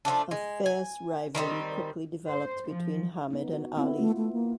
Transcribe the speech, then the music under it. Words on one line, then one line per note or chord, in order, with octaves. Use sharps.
A fierce rivalry quickly developed between Hamid and Ali.
F3 F#3 A3 D4
G#3
G#5
D#3 G3 A3 C4
C5
F3
B3 D#4
F#4
B3 C4 E4
A3 F4
A3
A#3